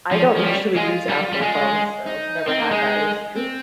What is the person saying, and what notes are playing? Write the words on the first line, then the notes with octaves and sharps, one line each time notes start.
I don't usually use Apple phones, so, never had that issue.
F3 C#4
F3
G3
G#3 F4
G3
G3
G#3
D#4
C4
A#3
G#3
C4